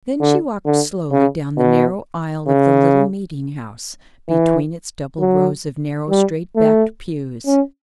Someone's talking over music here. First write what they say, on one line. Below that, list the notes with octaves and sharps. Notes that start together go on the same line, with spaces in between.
Then she walked slowly down the narrow aisle of the little meeting-house, between its double rows of narrow straight-backed pews.
D3
D3
C#3
B2
C#3
E3
F#3
G3
A3
C#4